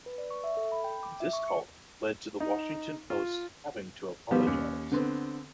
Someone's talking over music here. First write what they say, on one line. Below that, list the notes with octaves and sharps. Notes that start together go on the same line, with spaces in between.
This column led to the Washington Post's having to apologize.
B4
D5
C#6
E5
A4
B5
G5
D6
E5
C#6
C#7
D#4
F4
B2 D#3 F3 G3 B3
D#2 C#4
D3 B3 C4